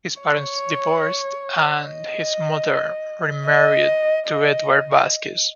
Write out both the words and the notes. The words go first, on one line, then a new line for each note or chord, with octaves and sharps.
His parents divorced and his mother remarried to Edward Vasquez.
C#5
D#5
D#5
D#5